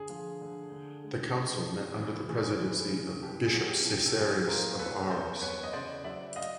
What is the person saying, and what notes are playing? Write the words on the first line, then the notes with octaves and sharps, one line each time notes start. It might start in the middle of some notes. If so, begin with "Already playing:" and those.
The Council met under the presidency of Bishop Caesarius of Arles.
Already playing: D3 G#4
F3
D3
D3
G#3
F2
F2
E3
E3 G#4
E3
C#3
C2 G4
G#4
F#3
G4
C2
G4
A4
F#3 G#4
A#2 G#4 A#4
C2 A4 B4
E2 A#4 C5
E2 B4 C#5
D#5
C#3 C5 D5
F#3 D5 E5
D#5 F5